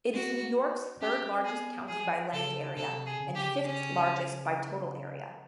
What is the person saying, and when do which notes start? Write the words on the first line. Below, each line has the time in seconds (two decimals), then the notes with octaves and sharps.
It is New York's third-largest county by land area and fifth-largest by total area.
0.14 G#3 F#4
0.43 A#3
1.01 C#4 G4
1.39 C4
1.45 B3 G#4
1.88 F3 G#4
2.33 C#3 A4
2.77 C3 A4
3.06 G#4
3.20 C#3
3.30 D3
3.35 G4
3.40 C#3
3.64 C#4